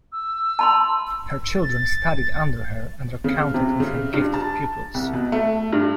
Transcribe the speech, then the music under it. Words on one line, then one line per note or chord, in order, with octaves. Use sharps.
Her children studied under her and are counted with her gifted pupils.
E6
A5 B5 C6
A6
C#3
C3
C#3
G2
A5
C2
B2
A3
G2